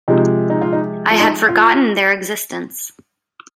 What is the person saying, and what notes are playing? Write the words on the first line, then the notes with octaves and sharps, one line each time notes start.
I had forgotten their existence.
C3 F3 G#3 D#4
D#4
F4
D#4
F4
D#4
F4